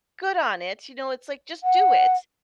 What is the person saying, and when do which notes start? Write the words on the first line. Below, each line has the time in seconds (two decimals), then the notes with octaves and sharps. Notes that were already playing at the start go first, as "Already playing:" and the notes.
good on it, you know, it's like just do it,
1.64 F#5